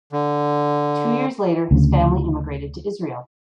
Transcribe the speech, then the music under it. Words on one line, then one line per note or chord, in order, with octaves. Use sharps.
Two years later his family immigrated to Israel.
D3
D2 C#3